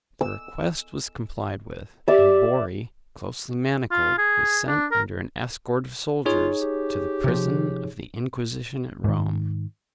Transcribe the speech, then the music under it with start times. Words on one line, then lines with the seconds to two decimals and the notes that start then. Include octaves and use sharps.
The request was complied with; and Borri, closely manacled, was sent under an escort of soldiers to the prison of the Inquisition at Rome.
0.21 E6
2.08 G4 D5 E5
3.91 F4
4.18 G#4
4.67 D4
4.92 A#4
6.26 D#4 F4 G#4 C#5
6.61 G4
7.24 C3 F3
9.04 G#2 D#3